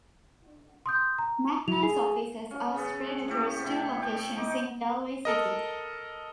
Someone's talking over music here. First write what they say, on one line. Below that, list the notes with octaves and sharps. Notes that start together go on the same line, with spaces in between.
Macnas offices are spread across two locations in Galway city.
C6 D#6 G6
A#5
F#3 F7
G#4
C#4
C#3 B3 A4
A2 A3 G4 A4
C3 E4
G5
D#4 D6
A4 A#4 D#5